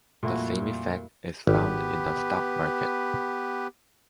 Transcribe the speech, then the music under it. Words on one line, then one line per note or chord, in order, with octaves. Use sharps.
The same effect is found in the stock market.
F2 A#2 G3 A3 A#3 E4 F#4
G#1 B3 G4 B4